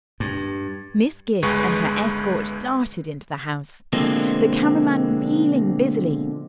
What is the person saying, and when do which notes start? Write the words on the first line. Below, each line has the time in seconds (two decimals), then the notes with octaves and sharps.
Miss Gish and her escort darted into the house, the camera man reeling busily.
0.20 G2
1.42 G1 C#2 G#3 B4 C#6
3.93 B2 D3 F3 G#3 A#3 C4